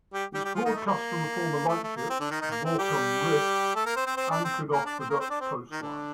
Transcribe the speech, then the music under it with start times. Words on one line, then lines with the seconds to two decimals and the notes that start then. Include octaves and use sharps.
It broadcast from a former lightship "Borkum Riff" anchored off the Dutch coastline.
0.13 G3 G4
0.34 G3 G4
0.44 G3 G4
0.55 F3 F4
0.65 D#3 D#4
0.76 A3
0.86 A#3
1.69 A3
1.83 A3
1.96 A#3
2.10 C4
2.20 D3 D4
2.30 D#3 D#4
2.41 D#3 D#4
2.51 A#3
2.65 C4
2.78 G3 G4
3.75 A3 A4
3.85 A#3 A#4
3.96 C4 C5
4.06 C4 C5
4.16 C4 C5
4.31 D4 D5
4.44 C4 C5
4.71 A#3 A#4
4.85 D4 D5
4.99 C4 C5
5.10 A#3 A#4
5.20 C4 C5
5.30 D4 D5
5.40 C4 C5
5.71 D#3 D#4
5.82 D3 D4